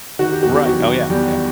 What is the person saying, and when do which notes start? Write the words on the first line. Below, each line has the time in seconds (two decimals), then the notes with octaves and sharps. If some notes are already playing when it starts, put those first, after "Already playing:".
Right, oh yeah, yeah.
0.19 D#3 F#4
0.31 G4
0.43 F#4
0.49 E2
0.55 G4
0.66 F#3 F#4
0.79 D#3
1.10 E2 G3 G4